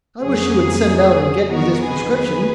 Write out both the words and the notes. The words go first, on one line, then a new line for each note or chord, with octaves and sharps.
"I wish you would send out and get me this prescription."
F2 C#3 F#3 A#3 G#4
F2 D#3 F#3 B3 F#4 A#4
G#4 B4
G#4 B4